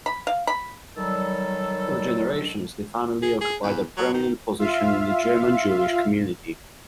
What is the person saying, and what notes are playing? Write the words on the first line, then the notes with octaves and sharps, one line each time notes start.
For generations, the family occupied a prominent position in the German Jewish community.
B5
F5
B5
D#3 F#3 G3 A4
G#4
G#4
E2
F#3
D#3
F4 E5 F5